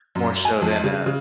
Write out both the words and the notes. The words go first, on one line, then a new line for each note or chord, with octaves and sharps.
more so than, uh,
F#2
G#5
F2
C#3
C#3